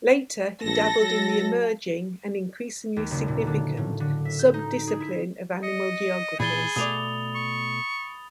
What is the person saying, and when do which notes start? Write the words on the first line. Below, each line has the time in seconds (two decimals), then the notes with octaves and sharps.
Later, he dabbled in the emerging, and increasingly significant, sub-discipline of animal geographies.
0.64 A#1 A4 A#6
1.00 F#3
2.96 D#2
3.11 F#1
3.28 A#2
3.47 D3
3.77 A2
4.00 D3
4.25 E5
4.39 G6
4.54 D#4
4.74 D7
4.87 G#4
5.00 E4
5.63 D#5 C#7
6.40 A#2 E3 G#4 B5 A6 G7
6.76 B2 A3 D5 D#6 F7
7.35 C#6